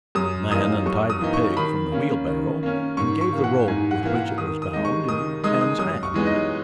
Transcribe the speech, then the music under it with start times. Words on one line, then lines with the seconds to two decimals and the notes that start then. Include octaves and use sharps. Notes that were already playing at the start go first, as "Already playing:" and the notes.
The man untied the pig from the wheelbarrow, and gave the rope with which it was bound into Hans's hand.
0.15 F#2 D#6
0.51 E3 A#3 D#4 D#6
0.86 F#2 C#6
1.10 D#6
1.21 E3 A#3 D#4
1.34 C#6
1.57 D#3 B5
1.92 A#3 C#4
2.27 D#3
2.63 A#3 C#4
2.97 G#2 C#6
3.21 C#6
3.33 E3 A#3
3.44 F#5
3.68 G#2 G#5
3.91 F#5
4.03 E3 A#3
4.15 F#5
4.38 D#3 D#6
4.62 D#6
4.73 G#3 D#4
4.85 C#6
5.09 D#3 D#6
5.44 G#3 D#4 D#6
5.61 D#6
5.79 F#2 D#6
6.03 C#6
6.14 E3 G#3 B3 D#4
6.27 D#5